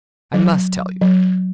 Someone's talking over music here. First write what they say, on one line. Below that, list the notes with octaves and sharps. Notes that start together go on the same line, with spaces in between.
I must tell you.
F#3
F#3